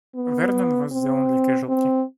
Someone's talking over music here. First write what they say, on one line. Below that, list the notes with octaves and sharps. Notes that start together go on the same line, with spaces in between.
Vernon was the only casualty.
B3
C4
C4